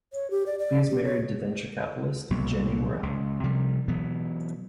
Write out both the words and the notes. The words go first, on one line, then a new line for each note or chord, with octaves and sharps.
He is married to venture capitalist Jenny Morel.
C#5
G4
D5
D5
G4
C#5
C2 B2 F#3 A#3
C#2
C3 F3 G3
B2 E3 F#3 B3